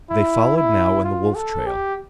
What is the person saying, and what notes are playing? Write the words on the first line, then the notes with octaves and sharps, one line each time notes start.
They followed now in the wolf trail.
E4
E4
F4
A4
G4